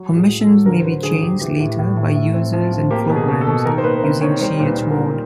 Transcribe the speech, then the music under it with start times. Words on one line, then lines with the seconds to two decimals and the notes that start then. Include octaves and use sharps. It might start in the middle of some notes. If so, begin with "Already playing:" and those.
Permissions may be changed later by users and programs using chmod.
Already playing: F#3
0.09 A2
0.17 G#4
0.29 F#3
0.41 A4
0.48 F#3
0.66 D3 A#4
0.80 C5
0.85 D3 B4
1.03 D3 G#4
1.22 D3 G4
1.41 E3 G4
1.60 A2
1.79 A2
1.97 A2
2.15 A3
2.34 C4
2.53 F3
2.72 F3
2.91 A#3 G4
3.10 B2
3.16 G#4
3.28 B2
3.41 A4
3.47 B2
3.65 D#3 A#4
3.78 C5
3.84 A#3 B4
4.03 C3 C5
4.21 D#3 C#5
4.41 G3 C5
4.59 A#2
4.66 B4
4.78 A#2
4.91 A#4
4.97 A#2